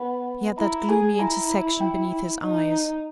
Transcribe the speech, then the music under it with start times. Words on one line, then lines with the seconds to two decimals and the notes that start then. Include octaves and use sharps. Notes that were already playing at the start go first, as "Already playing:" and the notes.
He had that gloomy intersection beneath his eyes.
Already playing: B3
0.58 E4 A#5
0.89 G#4 G#5
1.19 E4 A#5
1.81 G5
2.42 D#4